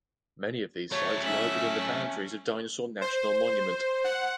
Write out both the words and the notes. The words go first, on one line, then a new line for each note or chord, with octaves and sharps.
Many of these sites lie within the boundaries of Dinosaur National Monument.
F#3 A3 C#5
C#4 E5 F#6
C5
F#5